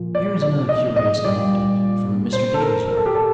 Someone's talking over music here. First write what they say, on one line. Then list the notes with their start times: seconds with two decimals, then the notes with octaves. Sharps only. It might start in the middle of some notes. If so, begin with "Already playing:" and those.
Here is another curious anecdote from Mr. Davy's work.
Already playing: A#2 F3
0.15 D5
0.42 D5
0.69 D#5
0.96 D#5
1.24 A#2 G3 D4 F4 D5
2.33 C5
2.54 A4
2.60 A#4
2.88 A#4
2.97 A4
3.06 G4
3.15 A4